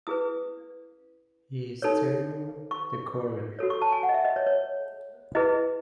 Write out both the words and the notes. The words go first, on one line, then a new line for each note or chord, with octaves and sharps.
He’s turning the corner.
E4 G#4 B4 D#6
D#4 A4 C#5
C#6
F#4 A4 C#5
C#6
A5
G#5
F#5
D#5
E5
D#5
C#5
C#5
E4 G#4 B4 D#5